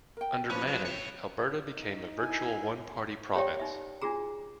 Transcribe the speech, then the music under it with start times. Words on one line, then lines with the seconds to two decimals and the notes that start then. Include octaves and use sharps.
Under Manning, Alberta became a virtual one-party province.
0.17 A#4 G5
0.50 F3 C#4 D4 F#4 B4 B5
0.67 F#3
0.85 E4 C#5
1.75 D#4
2.18 E4 G#5
3.35 G4 C#5 D5 E5 G5
3.60 D#4 E5
4.02 D4 D#4 F4 F#4 G#4 A#5